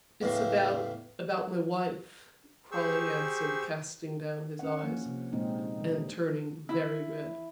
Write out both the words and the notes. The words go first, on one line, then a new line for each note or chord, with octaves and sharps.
"It's about--about my wife," Crawley answered, casting down his eyes and turning very red.
E2 A2 C#3
G4 G#4 C5 C#6 E6
C#4 F#5
F3 A#3
C3
A#2 G#3 C4 D#4
D#4
D3 G3
E4